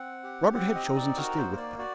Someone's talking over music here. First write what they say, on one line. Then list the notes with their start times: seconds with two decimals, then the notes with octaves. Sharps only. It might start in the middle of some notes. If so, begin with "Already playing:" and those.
Robert had chosen to stay with them.
Already playing: C4 F#5
0.24 G4
0.55 C4 F#5
0.75 D#5
0.85 D#4
0.96 D5
1.17 F#4 A#4
1.37 C5
1.48 A#3
1.57 D5
1.79 F#4 D5